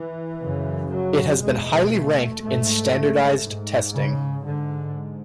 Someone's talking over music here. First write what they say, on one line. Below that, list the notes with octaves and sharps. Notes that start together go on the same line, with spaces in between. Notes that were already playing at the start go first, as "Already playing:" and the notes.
It has been highly ranked in standardized testing.
Already playing: E3
F#2 C#3
F#3
E2 B2 G#3
A3
G#2 A3
G#2
C#3
G#2 D3